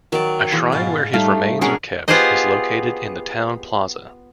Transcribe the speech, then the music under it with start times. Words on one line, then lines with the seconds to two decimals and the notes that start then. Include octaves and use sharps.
A shrine where his remains are kept is located in the Town Plaza.
0.12 D#3 F#3 D5
0.52 A#2 E3 G#4
0.72 G#2 B2 G#4 F5 A6
1.13 G3 A3 D#4 F5
1.61 B2 G#3 C#4 D4 G#4 A#4
2.08 B3 F4 G4 G#4 C5 D#5